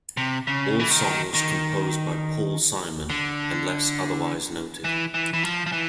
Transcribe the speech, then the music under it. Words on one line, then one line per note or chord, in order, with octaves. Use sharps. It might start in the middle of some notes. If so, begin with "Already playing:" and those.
All songs composed by Paul Simon unless otherwise noted.
C3
C#3
E3
D#3
D#3
D3
E3
E3
E3
F3
F3
E3